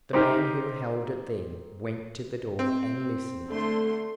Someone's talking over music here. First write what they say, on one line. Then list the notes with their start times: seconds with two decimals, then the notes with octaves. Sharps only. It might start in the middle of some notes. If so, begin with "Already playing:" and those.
The man who held it then went to the door and listened.
0.13 C4 D#4 G4 A#4
2.59 C4
3.50 D3 A3 C6